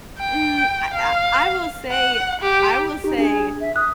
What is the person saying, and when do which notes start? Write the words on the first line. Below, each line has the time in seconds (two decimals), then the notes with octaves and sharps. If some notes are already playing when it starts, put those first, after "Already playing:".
Mm, I I I will say I will say
0.19 G5
0.94 F5
1.91 F#5
2.41 G4
3.04 D#4 G4
3.18 D4 G#4
3.61 E5
3.76 D#6 F#6